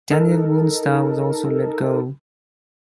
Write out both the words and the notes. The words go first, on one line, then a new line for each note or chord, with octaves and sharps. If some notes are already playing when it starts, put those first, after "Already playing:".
Danielle Moonstar was also let go.
D#4 A4 A#4